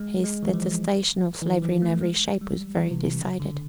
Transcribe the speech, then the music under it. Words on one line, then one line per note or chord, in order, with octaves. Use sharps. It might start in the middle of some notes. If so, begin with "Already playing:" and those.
His detestation of slavery in every shape was very decided.
Already playing: G#3
G#3
E3
F3
E3
F3
A3
G#3
G3
E3
C3
C3
C#3
D3